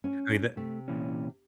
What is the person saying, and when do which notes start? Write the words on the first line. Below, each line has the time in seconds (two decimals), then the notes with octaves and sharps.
I mean, tha
0.04 C#4
0.57 C3 A3
0.88 A#2 E3 C#4